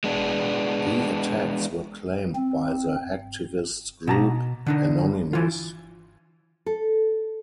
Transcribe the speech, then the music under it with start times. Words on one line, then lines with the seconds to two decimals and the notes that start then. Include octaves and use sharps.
The attacks were claimed by the hacktivist group Anonymous.
0.04 G#3 B3 D4
2.36 C4
4.07 B2 A5 A#5
4.66 D3 D4 D#4
5.33 E3 F4
6.66 A4